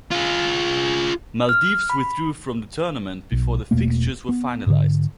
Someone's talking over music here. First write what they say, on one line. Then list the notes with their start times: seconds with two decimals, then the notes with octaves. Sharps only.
Maldives withdrew from the tournament before the fixtures were finalised.
0.11 F4 G#4
1.49 F6
1.90 B5
3.32 B1
3.71 E1 B2 A3 A#3
4.29 B3
4.66 G#2 D3